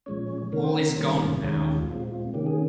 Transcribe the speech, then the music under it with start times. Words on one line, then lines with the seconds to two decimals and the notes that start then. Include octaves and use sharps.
All is gone now.
0.06 A#2 F3 G#3 C#4 C#5
0.52 C3 D#3 A#3 C#4 A#4
0.64 C5
0.75 A#4
0.97 C3 D#3 G3 A#3 C#4 C5
1.43 D#2 D#3 G#3 C#4 C#5
1.55 C#5
1.66 G4
1.77 F4
1.88 A#2 G#3 C4 F4
2.11 F4
2.34 C3 D#3 A#3 C#4 G4
2.46 G#4